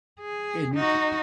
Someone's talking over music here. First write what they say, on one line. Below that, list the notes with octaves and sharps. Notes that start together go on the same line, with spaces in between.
And you could
G#4
D#4 F#4